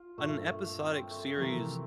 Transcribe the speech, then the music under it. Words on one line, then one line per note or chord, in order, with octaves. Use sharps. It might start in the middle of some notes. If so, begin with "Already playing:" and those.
an episodic series
Already playing: F4
G2 A#2 A3
A3
C4
A3
F3
C3 E3 A#4